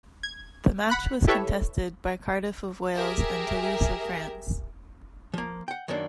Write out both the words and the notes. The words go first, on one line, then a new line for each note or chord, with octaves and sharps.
The match was contested by Cardiff of Wales and Toulouse of France.
G#6
F#5 B5 F#6
E4 G4 A4 B4 C#5 E5
G4 G#4 A#4 E5
F3 A#3
F#5 G5
F#2 D#3 F#3 A#3 D4